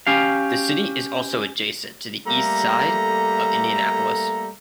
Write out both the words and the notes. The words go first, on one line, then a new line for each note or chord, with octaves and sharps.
The city is also adjacent to the east side of Indianapolis.
C#4 G4 F5
G3 A3 A#3 A4 A#5